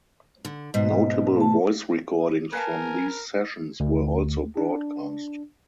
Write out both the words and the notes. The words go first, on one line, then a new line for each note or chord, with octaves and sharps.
Notable voice recordings from these sessions were also broadcast.
D3
G#2 B2 D#5
A3 A5
A#4 B4 F5 G#5 A5
D2
D4